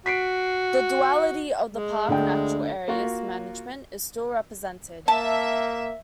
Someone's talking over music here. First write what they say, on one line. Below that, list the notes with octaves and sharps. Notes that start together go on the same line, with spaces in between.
The duality of the park-natural area's management is still represented.
F#4 B6 C7 D7
G#3
D2 D4 G5
A#3 F4 F#4
A#3 E5 A5